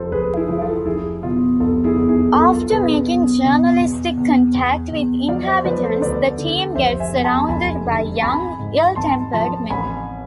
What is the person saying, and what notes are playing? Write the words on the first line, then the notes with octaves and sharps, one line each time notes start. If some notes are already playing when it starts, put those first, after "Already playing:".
After making journalistic contact with inhabitants, the team gets surrounded by young, ill-tempered men.
Already playing: F1 F3 A4 C5
F1 G#4 B4
E4 G#4
F3
F4 A4
F1 E4 G#4
B2 F4
F1 F4 A4
E4 G#4
E2
E4 G#4
B1 F4 A4
F4 A4
B2 G#4 B4
B1
B2
E2
E2
E2
E2
F3 D5 F5
C5 E5
F3 B4 D5
A4 C5
D2 B4 D5
D3
F1 C5 E5
E5 G#5
E2
A5 C6
F1 G#5 B5
D3
G#1 G#5 B5
G#2
G#1 A5 C6
F3 A5 C6
A1 G#5 B5